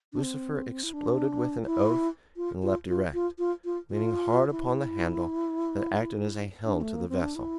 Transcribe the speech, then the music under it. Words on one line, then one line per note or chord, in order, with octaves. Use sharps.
Lucifer exploded with an oath and leapt erect, leaning hard upon the handle that acted as a helm to the vessel.
D4
C4
E4
D4
E4
F4
F4
F4
F4
F4
F4
F4
E4
D4
A3
A#3
C4
D4
E4